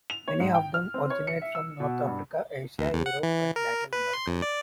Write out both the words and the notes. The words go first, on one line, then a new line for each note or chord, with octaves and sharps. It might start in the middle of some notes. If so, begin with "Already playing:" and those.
Many of them originate from North Africa, Asia, Europe, and Latin America.
F7
C#5
G#2
G5
F6
C4
C#5
C#7
E5
E6
B2
G2
D2
E2
F#5
E3
A#4
B4
C6
F2
D5